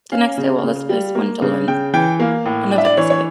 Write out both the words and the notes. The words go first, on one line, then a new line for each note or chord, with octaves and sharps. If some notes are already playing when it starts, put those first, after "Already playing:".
The next day, Wallace pays Wendolene another visit.
C#4 F5
C#3
C#3
G3
A#3
C#3
C#3 G5
E3 G5
A#3 F5
A2
D4
E5
D5
E3 C#5
C#5